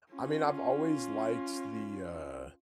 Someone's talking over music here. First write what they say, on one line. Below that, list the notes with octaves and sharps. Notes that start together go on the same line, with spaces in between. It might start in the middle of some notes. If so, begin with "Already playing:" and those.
I mean, I've always liked the, uh
C#4 F4